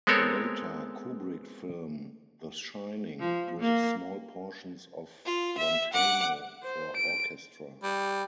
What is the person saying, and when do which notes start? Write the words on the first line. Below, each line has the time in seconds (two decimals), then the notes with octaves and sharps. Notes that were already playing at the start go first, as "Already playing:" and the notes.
A later Kubrick film, "The Shining", uses small portions of "Lontano" for orchestra.
0.07 G#3 B3 C4 A4 A#4 C#5
3.20 F3
3.60 A#3
5.26 F4
5.57 E5
5.93 F#5 D6
6.63 C5
6.97 D7
7.83 G3